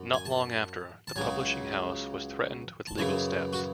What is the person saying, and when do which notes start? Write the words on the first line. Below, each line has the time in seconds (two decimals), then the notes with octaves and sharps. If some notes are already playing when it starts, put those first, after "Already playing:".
Not long after, the publishing house was threatened with legal steps.
Already playing: F#2
0.14 G#5
0.25 A5
1.07 A5
1.16 C#2 C#3 F#3 G#5
2.87 A5
2.98 F#2 C#3 E3 G#5
3.53 F#4